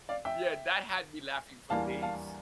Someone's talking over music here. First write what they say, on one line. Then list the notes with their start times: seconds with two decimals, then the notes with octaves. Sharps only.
yeah, that had me laughing for days.
0.09 D5 F5
0.25 E5 G5
1.70 E2 E3 G3 A#3 D4 F5 A5
2.02 F5 A5